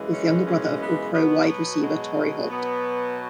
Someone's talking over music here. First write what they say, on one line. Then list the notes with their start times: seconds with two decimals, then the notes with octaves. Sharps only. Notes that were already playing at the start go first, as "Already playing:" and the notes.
He is the younger brother of All-Pro wide receiver Torry Holt.
Already playing: F#2 C#3 E3 G#3
0.13 C#4
0.47 C#4
0.82 B3
1.14 B2 F#3 B3
1.49 B3
1.82 G#3
2.49 B2 F#3 B3